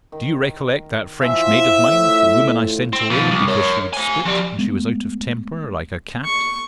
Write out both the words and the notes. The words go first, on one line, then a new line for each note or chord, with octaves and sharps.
Do you recollect that French maid of mine--the woman I sent away, because she would spit, when she was out of temper, like a cat?
D#3
E3 F3 F4 E5
A2
C4
B2 F3
C2
A#4 C#5
C5 G#5
F3 G3
G#3 A3 B3
C#6